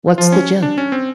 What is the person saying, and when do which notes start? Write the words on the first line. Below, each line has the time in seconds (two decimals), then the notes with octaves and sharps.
What's the joke?
0.18 F3 F4
0.32 C#4
0.63 D4
0.78 C#4
0.92 C4